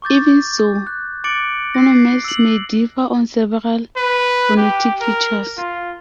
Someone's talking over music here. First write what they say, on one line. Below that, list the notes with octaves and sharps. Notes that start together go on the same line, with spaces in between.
Even so, phonemes may differ on several phonetic features.
C#6 D6 G6 A6
F#6
D6 F#6 A6 C#7 D7 F#7
A#6 C7
E6 F#7
B4
G4
A#4
F4